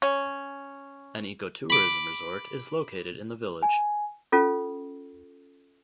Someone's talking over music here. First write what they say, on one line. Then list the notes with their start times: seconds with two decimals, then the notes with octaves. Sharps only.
An ecotourism resort is located in the village.
0.02 C#4
1.70 B5 D6
3.63 G#5
4.32 C#4 F4 A4